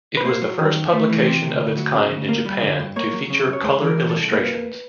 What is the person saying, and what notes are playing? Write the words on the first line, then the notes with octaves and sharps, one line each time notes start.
It was the first publication of its kind in Japan to feature color illustrations.
B4
A#3 C5
F#3
D#3
F#2
A3
E3
C3
D2
D2
F#3
C#3
D2
A#3
G3
D3
G2
A#3 C#5
F#3
C#3
F#2
C#5
G#3 C5
E3
A#4
C3
A4
C2
A#3 B4